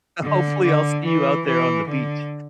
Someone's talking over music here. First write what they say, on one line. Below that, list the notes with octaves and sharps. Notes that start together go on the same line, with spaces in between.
Hopefully, I'll see you out there on the beach.
D3
D3
E3
E3
D3